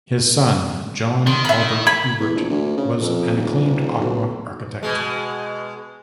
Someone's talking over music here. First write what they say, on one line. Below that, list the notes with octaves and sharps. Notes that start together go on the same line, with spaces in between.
His son John Albert Ewart was an acclaimed Ottawa architect.
D#3 C6
E5 B5
B5 G#6
E2
A#1
D2
C#3
F2
D#1
B1
B2 G#3